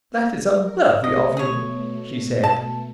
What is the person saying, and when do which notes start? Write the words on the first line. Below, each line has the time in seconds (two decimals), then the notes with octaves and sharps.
"That is unworthy of you," she said.
0.55 A#4
1.04 A3 C#5 D#5
1.37 B2 A3 G#4 C#5
2.44 A5